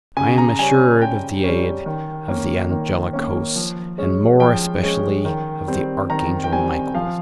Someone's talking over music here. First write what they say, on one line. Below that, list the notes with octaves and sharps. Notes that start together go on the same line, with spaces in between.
I am assured of the aid of the angelic hosts, and more especially of the archangel Michael's.
C#3 G#5
A#5
G3 C#4 G#5
C#3 G5
G3 C#4
D#3
A#3 C#4
D#3
A#3 C#4
F3
G#3 C#4
F3 G5
G#3 C#4
D#3
G3 C4
D#3 A#5
G5
G3 C4 G#5
F3 F5